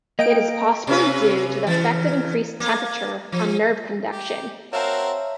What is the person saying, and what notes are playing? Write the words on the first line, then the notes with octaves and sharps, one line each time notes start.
It is possibly due to the effect of increased temperature on nerve conduction.
A#3 D#5 G5 D7
C3 C#4 B4
C#3 E3
A#3
F3
G4
C4 F#4 A#4 C#5 E5 F5 A5